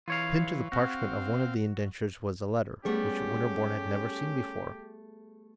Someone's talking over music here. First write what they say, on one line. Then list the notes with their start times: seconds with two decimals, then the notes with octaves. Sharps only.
Pinned to the parchment of one of the indentures was a letter, which Winterborne had never seen before.
0.08 E3 F4 C#5 F5
0.72 C4 F#4 F5
2.85 G3 A3 B3 C#4 G4 G#4